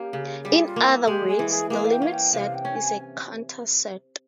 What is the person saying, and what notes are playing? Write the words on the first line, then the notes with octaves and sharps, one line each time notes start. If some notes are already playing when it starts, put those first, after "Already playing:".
In other words, the limit set is a Cantor set.
Already playing: A#3 C#4 G4
C#3
G3 G#4
F4
A#3
E4
G#3 G4
G#4
E3
G#4
A#3 G#4
F5
G5
C#4 F5
G5
C3 F5
G5
C#4
G#5